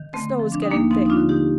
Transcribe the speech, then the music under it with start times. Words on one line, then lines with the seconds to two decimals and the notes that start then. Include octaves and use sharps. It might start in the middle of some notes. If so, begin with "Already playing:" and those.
The snow was getting thick.
Already playing: D#3
0.14 D3 A3 C4
0.39 F3
0.52 D4
0.62 D#2 D#4
0.71 A#3 D4
0.91 F3 C4 D#4
1.06 D#4
1.10 D4 F4
1.17 D3
1.29 D#4 G4